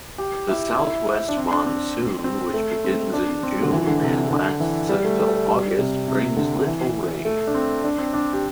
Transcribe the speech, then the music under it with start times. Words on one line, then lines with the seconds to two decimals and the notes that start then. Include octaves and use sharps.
The South-west monsoon, which begins in June and lasts until August, brings little rain.
0.18 G4
0.49 E4
0.77 E4
1.28 D4
1.37 C4
1.51 D4
1.66 C4
2.24 C4
2.54 A3
2.84 C4
3.13 D4
3.43 C4
3.52 G3
3.62 D3
3.72 E3
3.87 D3
4.02 C3
4.31 D3
4.60 E3
4.89 G3
5.05 A3
5.20 A3
5.48 G3
5.78 C3
6.08 C3
6.37 D3
6.67 E3
7.25 A3
7.47 D4
7.55 C4
7.84 D4
7.98 C4
8.13 D4
8.33 G4